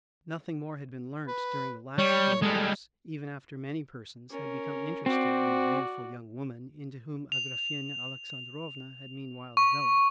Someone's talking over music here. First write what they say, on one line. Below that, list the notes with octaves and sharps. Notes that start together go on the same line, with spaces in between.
Nothing more had been learnt during the last four years, even after many persons had become interested in the beautiful young woman into whom Agrafena Alexandrovna had meanwhile developed.
B4
G3 C#5
G3 G#3 A4
C#4 A#4
C4 F#4 D5
F7
C#6